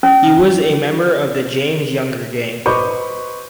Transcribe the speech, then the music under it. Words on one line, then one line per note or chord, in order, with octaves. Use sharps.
He was a member of the James-Younger Gang.
C#4
B4 C5 D#5 C#6 D6 G6